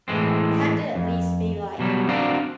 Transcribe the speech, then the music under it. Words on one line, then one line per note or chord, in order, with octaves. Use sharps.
had to at least be, like,
A2 E3 G#3 C4
F2
B2 F#3 G3
C4 D4 F#4 A#4 D5 F5